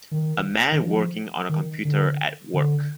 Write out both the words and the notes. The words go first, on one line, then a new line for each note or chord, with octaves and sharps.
A man working on a computer at work.
D#3
D#3
F3
D#3
D3
D3